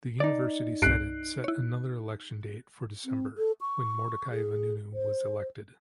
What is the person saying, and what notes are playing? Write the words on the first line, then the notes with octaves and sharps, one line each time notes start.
The University Senate set another election date for December, when Mordechai Vanunu was elected.
D#4 D5
C2 G2 F#6 C7 D7
E4 C#5
C4
A4
C#6
G#4
C5